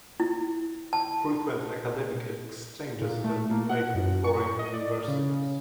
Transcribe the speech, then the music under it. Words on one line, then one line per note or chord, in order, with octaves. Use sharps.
Frequent academic exchanges have been made with foreign universities.
E4
A5
A#2
A3
A#3
F#5
F#2
C#6
D#5
D5
C#3